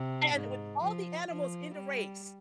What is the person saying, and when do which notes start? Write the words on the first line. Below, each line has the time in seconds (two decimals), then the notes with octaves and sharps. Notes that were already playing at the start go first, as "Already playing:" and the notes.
and with all the animals in the race,
Already playing: C3
0.34 G#2
0.81 F3
1.27 F3
1.74 G3